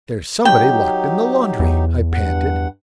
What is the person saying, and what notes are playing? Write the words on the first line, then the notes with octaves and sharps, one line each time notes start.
"There's somebody locked in the laundry," I panted.
F#3 D#4 G4 G5
E2
G2 F#5